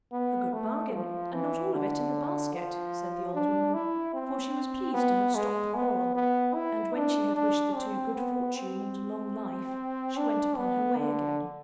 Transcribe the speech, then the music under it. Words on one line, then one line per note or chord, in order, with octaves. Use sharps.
"A good bargain, and not all of it in the basket," said the old woman, for she was pleased to have stopped the quarrel, and when she had wished the two good fortune and a long life, she went upon her way again.
B3
A3
F3
E3
D3
F3
D4
E4
C4
B3
G#3
B3
B3
E4
D4
D4
C4
B3
C4
D4
B3
D3